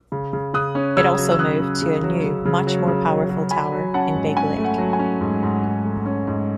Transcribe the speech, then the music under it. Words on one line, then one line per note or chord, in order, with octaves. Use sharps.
It also moved to a new, much more powerful tower in Big Lake.
C#3
C#3
C#3 D#6 F#6
C#4
C#3 E6 G#6
F#3
E6
C#4 D#6 F#6
C#3
C#3
F#3
C#3
C#3
F#3
C#3
F#3
F#3
F#3 G#5 B5
F#3
C#4 F#5 A5
G#2
C#4 G#5
A3
F#5
F#3
G#5
C#4
G#2
G#2
G#2
A3
C#4
G#2